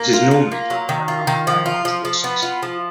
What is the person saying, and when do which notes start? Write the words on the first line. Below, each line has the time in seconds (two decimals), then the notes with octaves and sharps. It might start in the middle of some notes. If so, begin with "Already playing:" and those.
This is normally done by alkaline hydrolysis.
Already playing: A#3
0.13 F4
0.31 F4
0.52 A#3
0.70 F#3
0.89 D#3
1.08 F4
1.27 D#3
1.47 F3
1.66 F4
1.85 F3
2.05 F3
2.24 B3
2.42 F4
2.63 F3